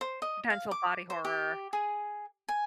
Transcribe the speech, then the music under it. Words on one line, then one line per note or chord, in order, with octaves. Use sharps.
potential body horror.
C5
D#5
F5
D6
C5
G4
G#4
G#5